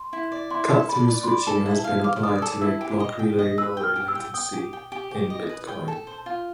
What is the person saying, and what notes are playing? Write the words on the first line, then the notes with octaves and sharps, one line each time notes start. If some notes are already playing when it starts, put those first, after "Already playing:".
Cut-through switching has been applied to make block-relay lower latency in Bitcoin.
Already playing: C6
E4
D5
E4 C6
A4
D5 B5
D5
C6
D5 B5
A4
E4
A5
F5
F5 D6
D5 D#6
A4 E6
E4 E6
G4
D#5
G5
D#5
B4 E6
G5
F6
G4
E6
G5
G5 D#6
G4
G5
G4
G4
D#5
B4
G5
A4
C5
F4